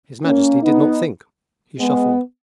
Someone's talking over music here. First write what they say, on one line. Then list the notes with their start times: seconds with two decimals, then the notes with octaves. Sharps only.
His Majesty did not think; he shuffled.
0.25 A#3 C#4
0.63 B3 D#4
1.80 G#3 B3